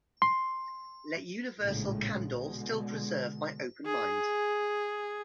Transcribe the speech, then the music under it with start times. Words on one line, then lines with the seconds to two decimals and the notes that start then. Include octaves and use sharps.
Let universal candor still preserve my open mind.
0.22 C6
1.60 A#1 A2 C#3 G#3
2.32 B2 D3 G#3
3.86 G#4